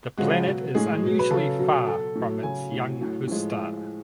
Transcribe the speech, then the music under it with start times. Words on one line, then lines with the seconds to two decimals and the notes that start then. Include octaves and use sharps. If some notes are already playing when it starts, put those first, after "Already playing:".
The planet is unusually far from its young host star.
0.17 C#3 F3 G#3 F#4
0.46 B2 F#3
0.74 A2 G#3 G#4
1.03 B2 F#3
1.19 B4
1.31 C#3 F#3 A4
1.59 B2 F#3
1.87 B2 F#3 A4
2.15 A2 F#3
2.43 C#3 F#3 G#5
2.72 A2 F#3
3.00 A2 F#3
3.27 A2 F3 G#3